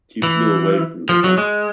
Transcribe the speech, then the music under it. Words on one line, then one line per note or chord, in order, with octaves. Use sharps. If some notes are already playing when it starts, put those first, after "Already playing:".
He flew away from the fence.
E3
F3
F#3
G#3